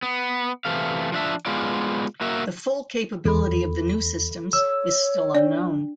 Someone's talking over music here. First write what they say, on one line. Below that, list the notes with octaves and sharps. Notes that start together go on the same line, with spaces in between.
The full capability of the new systems is still unknown.
B3
C3 E3 A3 F5
F3 D4 E5
G#3 B3 F4 D5
A#3 F#4 A#4 E5
E2 A4 B5
C#5 E6
D4 D5